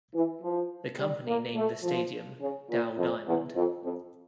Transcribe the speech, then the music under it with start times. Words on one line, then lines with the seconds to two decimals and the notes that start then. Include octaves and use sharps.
The company named the stadium Dow Diamond.
0.14 E3
0.42 F3
0.98 G3
1.28 A#3
1.55 A3
1.84 F3
2.41 C#3
2.70 A#2
2.98 F2
3.27 E2
3.55 F2
3.83 F2